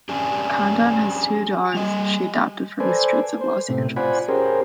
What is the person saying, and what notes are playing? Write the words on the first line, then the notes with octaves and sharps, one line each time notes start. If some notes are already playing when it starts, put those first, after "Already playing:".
Condon has two dogs she adopted from the streets of Los Angeles.
C#4 D4 G4 G#5
G3 D#5
A4 B4 C5 D5 G#5
C5
A2 C3
F4 C5 D5 F#5 G#5 B5
C#4 G4 G#4 A#4 C5